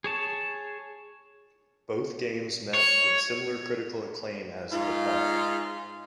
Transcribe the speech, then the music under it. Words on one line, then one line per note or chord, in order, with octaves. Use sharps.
Both games met with similar critical acclaim as "The Pawn".
G#4 C#5 A5
C#5
G#2 D#4 F4